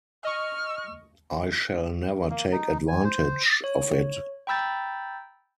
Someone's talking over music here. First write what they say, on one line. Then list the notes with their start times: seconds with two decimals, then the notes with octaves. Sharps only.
I shall never take advantage of it.
0.25 D#5 C#6 F6
2.30 A#3
2.52 D#4
2.88 G#5
3.04 C5
3.64 C#5
4.47 G5 A#5 B5 E6 G6 A6